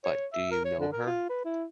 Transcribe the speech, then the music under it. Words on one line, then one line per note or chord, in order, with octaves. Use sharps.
But do you know her?
C#5
E5
A#4
C#5
D3
A#4
F4
B4
E4